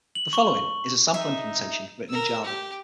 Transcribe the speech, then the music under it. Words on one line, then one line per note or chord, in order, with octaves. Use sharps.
The following is a sample implementation written in Java.
F#7
C#6
D#4 E5
A#4 E6
G4